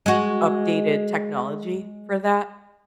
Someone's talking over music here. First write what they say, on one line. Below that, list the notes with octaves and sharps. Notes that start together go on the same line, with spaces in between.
updated technology for that.
G#3 F#4